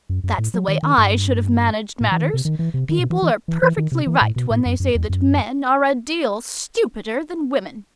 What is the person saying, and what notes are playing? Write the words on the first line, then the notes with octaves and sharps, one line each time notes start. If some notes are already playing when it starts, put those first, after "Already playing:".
That's the way I should have managed matters! People are perfectly right when they say that men are a deal stupider than women!
F#2
F#2
A2
F#3
D#3
D#3
G2
A2
E3
D#3
C3
D#3
E3
C3
D#3
B2
E3
E3
E3
E3
D#3
C3
E3
A2
B2
A2
F#2
F#2
E2
F#2